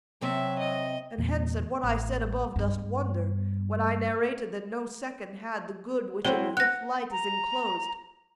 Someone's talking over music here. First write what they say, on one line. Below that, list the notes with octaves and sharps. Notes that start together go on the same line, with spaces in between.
And hence at what I said above dost wonder, When I narrated that no second had The good which in the fifth light is enclosed.
C3 F#3 C4 E5
D#5
E2 A#2
A1
G2 B3
F#3 C4 E4 C5
F#5 F#6 A#6
A#5